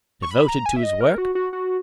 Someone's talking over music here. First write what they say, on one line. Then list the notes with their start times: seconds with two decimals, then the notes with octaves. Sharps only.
Devoted to his work.
0.22 C#6
0.31 B5
0.48 A#5
0.66 G#5
0.76 E5
0.83 D#5
1.01 A#4
1.18 F#4
1.35 F#4
1.53 F#4